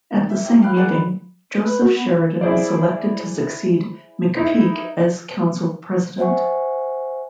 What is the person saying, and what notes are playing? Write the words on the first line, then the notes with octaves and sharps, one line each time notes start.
At the same meeting, Joseph Sheridan was selected to succeed McPeek as Council President.
D#3
E5
E4 G4
F5 G5 B5 F#6
G#4 A#4 D5 F#5 F#6
B5
B4
F#4
B3
F4
E4 G#4 C5 D5
D#4 E4
C5 E5 F#5 G#5 C#6